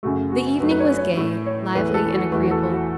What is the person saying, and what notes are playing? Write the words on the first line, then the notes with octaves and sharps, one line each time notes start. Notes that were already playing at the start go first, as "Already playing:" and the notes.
The evening was gay, lively and agreeable.
F#2 C#3 A3 F#4
F#4
F#2 F#3 A3 B4
B4
C#5
C#5
A2 A3
C#5
E2 E3 A3 B4
A4
F#4
E2 E3 A3 B4
F#4
A4
F#4